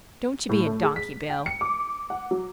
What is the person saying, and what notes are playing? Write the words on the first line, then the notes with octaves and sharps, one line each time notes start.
Don't you be a donkey, Bill.
A2
A3
G#4
B6
G5
C#7
D6
F#5
F#3